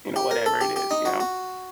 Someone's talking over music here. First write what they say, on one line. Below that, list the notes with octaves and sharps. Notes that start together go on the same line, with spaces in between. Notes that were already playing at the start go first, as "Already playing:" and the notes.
you know, whatever it is, you know?
G4
A#4
A4
G4
G4
D#4
F#4
F#4